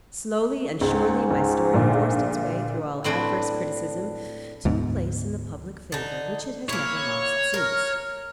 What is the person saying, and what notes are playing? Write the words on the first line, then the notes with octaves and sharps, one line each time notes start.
Slowly and surely, my story forced its way through all adverse criticism, to a place in the public favour which it has never lost since.
C#2 G#2
C#2
A#1 A#2 D3
A2 C4 D4 B4
D2 G#2 B2
D3 D#4
A#3 E4 C#5
A#4